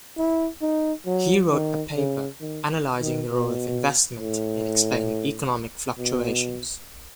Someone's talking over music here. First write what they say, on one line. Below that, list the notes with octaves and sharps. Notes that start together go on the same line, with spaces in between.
He wrote a paper analyzing the role of investment in explaining economic fluctuations.
E4
D#4
F#3
D#3
C#3
D#3
D#3
B2
A2
B2